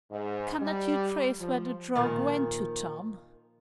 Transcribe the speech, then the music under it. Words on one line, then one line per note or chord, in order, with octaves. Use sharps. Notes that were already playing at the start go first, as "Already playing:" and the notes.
"Cannot you trace where the drug went to, Tom?"
G#2
G3
F3
A#2 D#3 F3